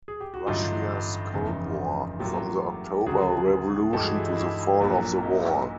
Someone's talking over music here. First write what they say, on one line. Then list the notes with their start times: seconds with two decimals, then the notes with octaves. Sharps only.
Russia's Cold War: From the October Revolution to the Fall of the Wall.
0.08 G#4
0.21 G4
0.34 F#4
0.47 A1 G2 D3 F#3 D#4 F4
1.34 F1 E2 C#3
2.19 A1 A2 F#3 A#3 F4 G4
3.06 D2 C#3 F#3 F#4 G#4
3.93 G2 E3 G#3 G4 A4
4.04 F#4 G#4
4.15 E4
4.26 D#4
4.37 E4
4.80 A#1 A#2 F#3
5.23 D#4